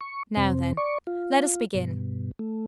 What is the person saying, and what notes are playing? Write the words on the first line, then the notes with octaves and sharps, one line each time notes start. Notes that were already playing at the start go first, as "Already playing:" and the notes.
Now then, let us begin.
C#6
F2 C3 C4
D5 C#6
F4
G2 B2
A3